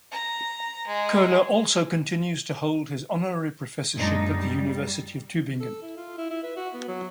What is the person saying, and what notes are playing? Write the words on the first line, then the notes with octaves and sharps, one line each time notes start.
Köhler also continues to hold his honorary professorship at the University of Tübingen..
A#5
G#3
F#2 A#2 G#3 D4 D#4
G3
A4
E4
F4
E4
E4
B4
F#4
B3
F#3